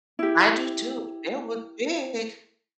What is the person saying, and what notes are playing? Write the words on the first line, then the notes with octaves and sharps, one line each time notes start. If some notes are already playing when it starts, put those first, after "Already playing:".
I do, too. The bear was big,
E4 G4